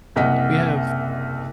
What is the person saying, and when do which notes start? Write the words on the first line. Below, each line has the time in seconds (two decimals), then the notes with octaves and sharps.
We have
0.16 F#1 C2 D#5 F#5 B6